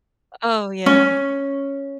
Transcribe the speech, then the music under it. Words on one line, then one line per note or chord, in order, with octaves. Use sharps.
Oh yeah.
C#4